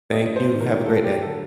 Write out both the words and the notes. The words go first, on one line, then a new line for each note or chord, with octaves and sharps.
Thank you, have a great day.
G2 D#5
C5
D#3 G3
A#4
G2 A4
G4
D3 F#3 A4